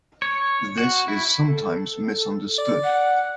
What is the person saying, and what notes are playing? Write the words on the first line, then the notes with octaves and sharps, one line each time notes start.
This is sometimes misunderstood...
C#5
F#4
E4
A4
D5
F#5 F#6